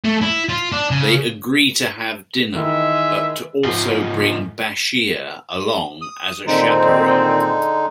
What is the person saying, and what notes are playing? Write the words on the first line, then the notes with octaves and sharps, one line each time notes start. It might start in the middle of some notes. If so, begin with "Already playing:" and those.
They agree to have dinner, but to also bring Bashir along as a chaperone.
A3
E4
F4
D4
C#3
D#3 E3 G#3 E5
G#2 F3
D#6
A#2 D3 D#3 G#3 C4 D#4